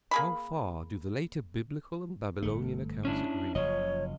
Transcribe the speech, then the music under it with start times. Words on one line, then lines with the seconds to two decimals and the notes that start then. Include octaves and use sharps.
How far do the later Biblical and Babylonian accounts agree?
0.11 A#3 G#4 B5
2.42 G1 A3
3.05 C#4 D4 E4
3.55 F#1 C#3 F3 C#5 D#5